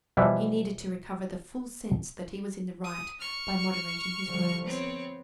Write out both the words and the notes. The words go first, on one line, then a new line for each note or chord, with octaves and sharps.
He needed to recover the full sense that he was in the right by moderating his words.
B2 E3 F3 G3 E4 B4
D#6
C#6 F6
D3 F3 G3
B3 C4 C#5